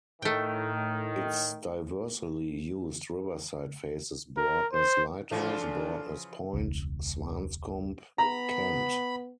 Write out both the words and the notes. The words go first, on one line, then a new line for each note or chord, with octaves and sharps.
Its diversely used riverside faces Broadness Lighthouse, Broadness Point, Swanscombe, Kent.
A2 D#3 A3 G5
A#4
C5
C#3 E3 F3 D4 F4 A4
E1 C#2
B3 A#5 B5